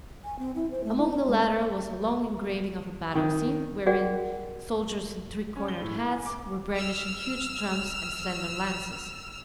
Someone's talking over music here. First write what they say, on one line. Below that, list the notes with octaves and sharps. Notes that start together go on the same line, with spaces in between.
Among the latter was a long engraving of a battle scene, wherein soldiers in three-cornered hats were brandishing huge drums and slender lances.
G#5
C4
E4
C5
A3
E4
D5
G#3
D#3
F#4 G#4 A#4 D5 F#5 G5
C#4
G7
A2
E4
G#5
D6
E6 F6